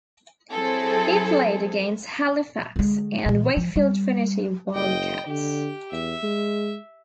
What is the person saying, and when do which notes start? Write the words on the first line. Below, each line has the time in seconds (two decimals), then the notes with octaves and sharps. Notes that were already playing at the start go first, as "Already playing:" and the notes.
He played against Halifax and Wakefield Trinity Wildcats.
0.51 F#3 C4 E4 G#4 A4
2.76 D3 G#3
3.26 A#2 E3
3.57 F3
3.76 G3
4.74 F#1 D#5 G5
5.27 D3 G4
5.92 E2 E5
6.23 G#3